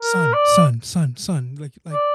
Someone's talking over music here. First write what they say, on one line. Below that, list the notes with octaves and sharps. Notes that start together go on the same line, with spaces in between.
Son, son, son, son, like like,
A#4
D5
D5